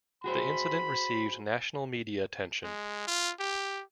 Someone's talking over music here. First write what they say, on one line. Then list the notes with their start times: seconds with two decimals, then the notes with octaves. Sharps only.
The incident received national media attention.
0.24 F#4 G#4 C5 B5
2.64 G#3
3.07 F4
3.40 G4